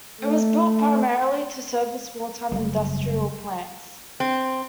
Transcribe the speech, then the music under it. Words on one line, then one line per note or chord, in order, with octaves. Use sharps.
It was built primarily to service wartime industrial plants.
A3
F#1 G3 G#3
C4